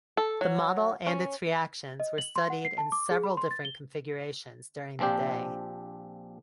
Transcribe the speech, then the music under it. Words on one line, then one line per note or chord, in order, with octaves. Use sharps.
The model and its reactions were studied in several different configurations during the day.
A4
F#3
C#4
D#5
F#7
C6
F#5
C7
A5
D6
G#4
B5
C6
A6
G7
A#1 F3 C4 D4 G4